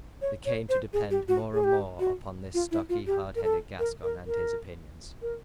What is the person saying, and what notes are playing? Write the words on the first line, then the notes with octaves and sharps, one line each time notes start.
They came to depend more and more upon this stocky, hard-headed Gascon and his opinions.
C#5
C#5
C5
G#4
G4
F#4
G#4
G4
F#4
F4
E4
F4
G4
A#4
A4
A#4
A#4
A#4
A#4